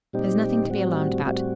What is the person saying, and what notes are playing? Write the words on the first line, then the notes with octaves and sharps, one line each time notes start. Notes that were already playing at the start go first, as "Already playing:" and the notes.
There's nothing to be alarmed about.
A#2 G3 C4 D#4 G4
A2 G3 C4 F#4
A2 G3 C4 F#4